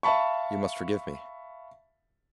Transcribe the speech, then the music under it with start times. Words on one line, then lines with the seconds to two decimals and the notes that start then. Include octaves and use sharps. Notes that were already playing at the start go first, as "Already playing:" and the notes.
You must forgive me.
0.03 E5 F5 A5 B5 C#6